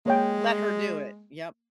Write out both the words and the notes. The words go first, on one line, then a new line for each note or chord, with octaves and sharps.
Let her do it, yep.
G#3 A#3 C#5 G5